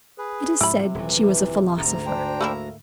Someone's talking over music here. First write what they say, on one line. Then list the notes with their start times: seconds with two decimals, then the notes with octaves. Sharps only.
It is said she was a philosopher.
0.18 G#4 B4
0.61 G#2 C3 F3 E4 B5
0.95 D#1 E3 F#3
1.78 D2 G#2 D3 A#5
2.06 D4 C5 G5
2.41 A3 A#3 E4